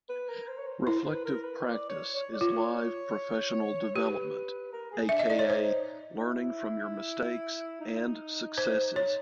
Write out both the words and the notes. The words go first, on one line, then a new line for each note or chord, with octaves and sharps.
Reflective practice is live professional development, aka learning from your mistakes and successes.
B4
A#4
C5
C#5
C5
E4 A#4
C5
B4
A#4
B4
D5
C#5
C#5
D5
F4 C#5
G4 B4
A#4
G#4
D4 E5
D4 D#5
D#4 D5
C#5
D#4 C5
D#4
E4
D#4
C5
C#5